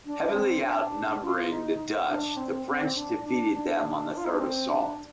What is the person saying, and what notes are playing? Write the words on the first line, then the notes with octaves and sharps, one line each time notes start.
Heavily outnumbering the Dutch, the French defeated them on the third assault.
D4
C4
D4
F4
D#4
D4
C4
C4
D4
D4
D4
F4
D#4
D4
C4
D4